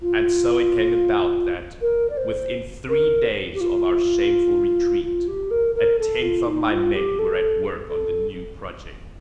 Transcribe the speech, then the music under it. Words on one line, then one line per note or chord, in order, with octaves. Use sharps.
And so it came about that, within three days of our shameful retreat, a tenth of my men were at work on the new project.
F4
A#4
D5
C5
A#4
G4
F4
F4
G4
A#4
A#4
A4
F4
D#4
F4
G4
A4
A4